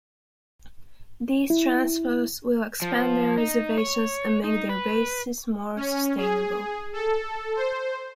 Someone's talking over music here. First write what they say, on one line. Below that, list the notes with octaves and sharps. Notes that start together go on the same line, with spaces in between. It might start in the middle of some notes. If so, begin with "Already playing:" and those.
These transfers will expand their reservations and make their bases more sustainable.
E4
F3
D#4
C#5
D#4
B4
C#4
G#4
A4
C5